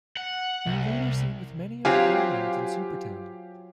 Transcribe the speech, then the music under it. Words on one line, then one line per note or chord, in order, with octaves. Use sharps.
They are later seen with many of the comrades in Supertown.
F#5
C2
F#3 C4 F4 G4 F5 G#5